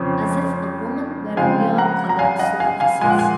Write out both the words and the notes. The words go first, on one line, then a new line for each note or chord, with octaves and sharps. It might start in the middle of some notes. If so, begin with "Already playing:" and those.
As if a woman were a mere colored superficies!
Already playing: F2 C#3 F3 C4 C#5
C#3 F3 G#3 C4 F5 G#5
F#5 A#5
A#5
F5 G#5
D#5 F#5
F5 G#5
F5 G#5
A#2 F3 G#3 G#5
F#5
F5 G#5